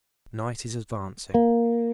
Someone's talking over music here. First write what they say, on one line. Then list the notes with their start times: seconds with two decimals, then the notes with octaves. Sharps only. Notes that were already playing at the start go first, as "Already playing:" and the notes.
Night is advancing.
1.34 A#3